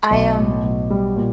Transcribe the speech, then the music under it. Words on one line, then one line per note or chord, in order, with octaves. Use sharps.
I, um,
B1
A2
B1
G3
A#2